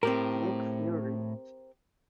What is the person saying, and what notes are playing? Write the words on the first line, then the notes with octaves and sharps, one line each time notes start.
Nick Fury.
A2 C4 G4 A#4